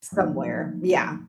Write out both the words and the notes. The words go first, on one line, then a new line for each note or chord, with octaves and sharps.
somewhere yeah,
F3 F#3 A3 A#3 D#4